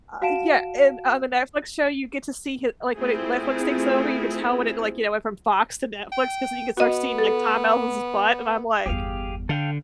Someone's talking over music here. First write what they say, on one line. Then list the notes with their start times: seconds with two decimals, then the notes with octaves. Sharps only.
Uh, yeah, and on the Netflix show you get to see hi like, when it, Netflix takes over, you can tell when it, like, you know, went from Fox to Netflix 'cause then you can start seeing, like, Tom Ellis's butt, and I'm like,
0.22 F#4 F5 F#5 A5 D7 E7
2.95 A3 C4 E4 F4 G#4
6.12 G5
6.77 B3 F#4 D#5
7.18 A4
8.86 G1 E2 G4 G#4 F5
9.49 D3 A4 F5 G5